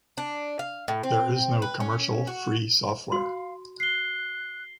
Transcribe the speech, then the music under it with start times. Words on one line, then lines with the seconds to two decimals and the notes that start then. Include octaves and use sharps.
There is no commercial free software.
0.18 D4
0.59 F5
0.88 A2
1.03 C4
1.62 B4
1.80 C#4
2.27 F#4
3.12 F#4 F5 C6
3.80 F#6 C7 G7